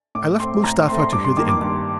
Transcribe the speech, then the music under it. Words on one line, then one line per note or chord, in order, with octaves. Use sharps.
I left Mustapha to hear the end of it.
A2 D6
A3 C4 C6
A2 A#5
A3 C4 C6
C6
G2 D6
C6
D#3 A#3 D6
D6
G2